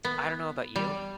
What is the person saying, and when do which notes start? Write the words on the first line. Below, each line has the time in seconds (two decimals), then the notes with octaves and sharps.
I don't know about you,
0.05 B3
0.76 G3